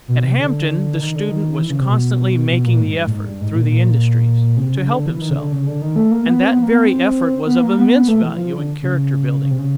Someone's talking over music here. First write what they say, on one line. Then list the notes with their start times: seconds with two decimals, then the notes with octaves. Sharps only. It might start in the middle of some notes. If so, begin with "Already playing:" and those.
At Hampton the student was constantly making the effort through the industries to help himself, and that very effort was of immense value in character-building.
0.08 B2
0.24 C3
0.39 D3
1.00 D#3
1.15 D3
1.29 D#3
1.51 D#3
1.59 E3
1.70 C#3
1.80 C3
1.89 B2
2.49 B2
2.65 A#2
2.81 G#2
2.96 G2
3.06 A2
3.10 G#2
3.26 G2
3.41 G#2
3.55 A#2
3.70 A#2
4.57 C#3
4.61 C3
4.76 C#3
4.91 D3
5.06 E3
5.16 E3
5.21 D#3
5.30 C#3
5.36 D3
5.52 C#3
5.66 D3
5.81 D#3
5.96 A3
6.11 A#3
6.23 A#3
6.27 B3
6.42 C4
6.51 B3
6.62 A#3
6.71 B3
6.87 C4
7.47 B3
7.62 A#3
7.78 B3
7.93 B3
8.08 A3
8.22 E3
8.34 E3
8.37 F3
8.53 D3
8.82 C#3
9.43 C#3
9.50 C3
9.58 C#3